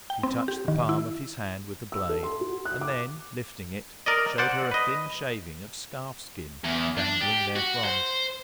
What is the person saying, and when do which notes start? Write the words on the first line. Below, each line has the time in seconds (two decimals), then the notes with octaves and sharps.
He touched the palm of his hand with the blade, and then, lifting it, showed her a thin shaving of scarf-skin dangling therefrom.
0.10 G5
0.23 C4
0.48 G4
0.68 D#3
0.89 E4
1.92 E6
2.09 A4
2.23 C6
2.41 F#4
2.65 F#6
2.81 D6
4.06 A#4 D5 D#5
4.38 C5 D5 F#5
4.71 B4 D#5
6.65 E2
6.99 D4
7.21 G4
7.56 F#4
7.85 C5